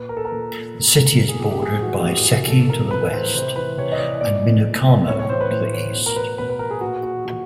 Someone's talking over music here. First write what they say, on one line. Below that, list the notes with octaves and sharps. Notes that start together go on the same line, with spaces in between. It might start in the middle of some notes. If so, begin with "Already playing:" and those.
The city is bordered by Seki to the west and Minokamo to the east.
Already playing: A#2 B4
A#4
A4
A#4
A#2
A#2
A#2
G#4
G4
G4
A2 G#4
E3 F#4
A2 G4
E3
A2 A4
E3 A#4
A2 B4
E3 C5
C3 C5
E3 B4
C3 C#5
D#5
E3 D5
A#2 D5
A#2
A2 C#5
C#5
E3 C5
B4
A2 C5
E3 C#5
B2
A#4
B4
B2 B4
B4
A#4
G#4
A#2 F#4
F#4
A#2 F#4